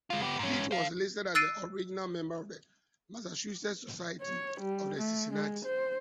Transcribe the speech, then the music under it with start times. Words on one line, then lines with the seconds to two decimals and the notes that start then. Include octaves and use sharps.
Heath was listed as an original member of the Massachusetts Society of the Cincinnati.
0.10 G#3 F4
0.22 B3 G4
0.39 G#2 C#4
0.71 C5 F5
1.35 E6 F#6 A6 C7 D7 D#7
4.21 C#5
4.60 G3
4.98 A3
5.32 G#3
5.65 C5